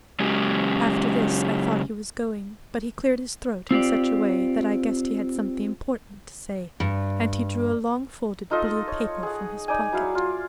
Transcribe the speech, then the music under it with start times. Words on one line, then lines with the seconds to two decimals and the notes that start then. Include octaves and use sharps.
After this I thought he was going, but he cleared his throat in such a way that I guessed he had something important to say, and he drew a long folded blue paper from his pocket.
0.20 C#3 F#3 G#3 C#4 G4
3.71 C4 F4 G4 D5
6.80 G2
8.51 D#4 F4 A4 D#5
8.88 C#5
9.23 G#4 F#5
9.68 D#4 D5 G#5
9.93 F#3 E4 F5
10.15 F4